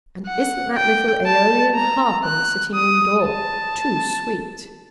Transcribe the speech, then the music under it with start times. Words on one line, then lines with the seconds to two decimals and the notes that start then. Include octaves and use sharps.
"And isn't that little Aeolian harp on the sitting room door too sweet!"
0.27 F#5
0.76 G5
1.26 A5
1.75 A#5
2.25 F#6
2.75 D#6
3.24 A5